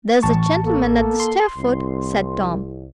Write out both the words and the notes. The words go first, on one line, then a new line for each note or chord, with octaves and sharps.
"There's a gentleman at the stairfoot," said Tom.
A1 A5 C#6
A#3 A4
C6
C2